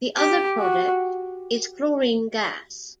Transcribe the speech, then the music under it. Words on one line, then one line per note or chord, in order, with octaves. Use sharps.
The other product is chlorine gas.
G4
F#4